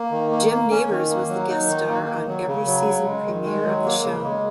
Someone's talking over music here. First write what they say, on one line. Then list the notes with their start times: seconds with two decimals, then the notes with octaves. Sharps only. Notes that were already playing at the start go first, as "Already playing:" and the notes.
Jim Nabors was the guest star on every season premier of the show.
Already playing: A#3
0.11 D#3
0.31 A#3
0.51 A#3
0.71 C#4
0.90 D#3
1.10 A#3
1.29 F#3
1.49 D#4
1.68 D#3
1.88 A#3
2.07 D#3
2.28 F#3
2.47 C#3
2.66 F#3
2.87 C#3
3.06 G#3
3.25 D#3
3.45 G#3
3.65 F#3
3.85 A#3
4.04 C#3
4.24 G#3